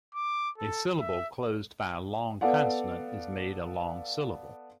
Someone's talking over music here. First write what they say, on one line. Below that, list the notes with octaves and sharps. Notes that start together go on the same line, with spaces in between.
A syllable closed by a long consonant is made a long syllable.
D6
A4
E5
B3 A4 D5 F5 F#5